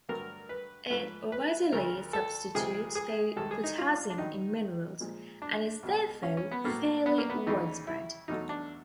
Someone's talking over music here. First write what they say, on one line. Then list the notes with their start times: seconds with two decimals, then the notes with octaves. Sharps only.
It readily substitutes for potassium in minerals, and is therefore fairly widespread.
0.09 G2 D3 F#3 A3 A#4
0.49 B4
0.90 G#2 F3 A3 B4
1.32 B4
1.72 D2 C#3 F3 A3 A#4
2.13 A4
2.55 D2 C3 F3 G#3 G#4
2.95 G#4
3.36 C2 C3 D#3 G#3 A4
3.51 G#4
3.64 D#4
3.78 F4
4.10 D4
4.18 G2 D#3 F#3 D#4
5.01 A#2 F3 G#3
5.42 D4
5.83 C#2 B2 G#3
6.23 C#4
6.37 C#4
6.51 B3
6.64 A2 F#3 A3 A#3
7.06 B3
7.18 A#3
7.30 B3
7.47 D#2 C#3 E3 A3 D#4
7.87 E4
8.28 E2 B2 F#3 A3 D#4
8.49 D4